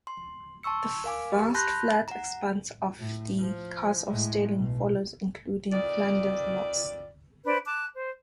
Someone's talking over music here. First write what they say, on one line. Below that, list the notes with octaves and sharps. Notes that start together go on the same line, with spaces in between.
The vast flat expanse of the Carse of Stirling follows including Flanders Moss.
C6
A5 C6 C#6 E6 C#7
A#4 F5 G#5 D6
G4
A5 B5 C6 F#6 G6 A#6
F#5 A#5
A2
F3
A2 G#3
B1 B2
F2 D#3 D5
D4 B4 C5
A5 D6 F#6
C5